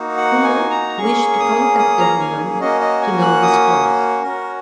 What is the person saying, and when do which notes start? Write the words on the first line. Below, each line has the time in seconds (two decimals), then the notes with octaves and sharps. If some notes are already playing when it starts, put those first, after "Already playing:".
Cuomo wished to contact the woman, to no response.
Already playing: A#3 D#4 F#4
0.17 F#5
0.44 G#5
0.71 A#5
0.98 A#3 C#4 G#4 C#6
1.39 D#6
1.79 D#6
1.99 A#5
2.20 G#5
2.60 A#3 C#4 F#4 D#5
2.81 D#5
3.02 G#5
3.21 F#6
3.42 D#6
4.23 C#4 F#4 A#4